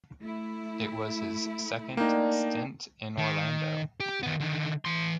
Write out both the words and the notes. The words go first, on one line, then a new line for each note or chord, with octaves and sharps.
It was his second stint in Orlando.
A3 E4
D3 A#3 D#4 G5
D#3
G4
D#3 B3
D3 D#3
E3 C6